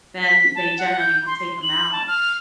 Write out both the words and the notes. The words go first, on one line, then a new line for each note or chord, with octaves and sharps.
then they generally will take them out.
B6
A5
F#5
G6
C6
C6
F#7
A5
F6